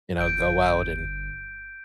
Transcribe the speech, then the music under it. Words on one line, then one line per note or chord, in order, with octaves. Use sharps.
you know, go out and
G1 G6 D7